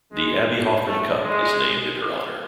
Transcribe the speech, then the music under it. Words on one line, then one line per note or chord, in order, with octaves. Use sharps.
The Abby Hoffman Cup is named in her honour.
G#3
A3
G#3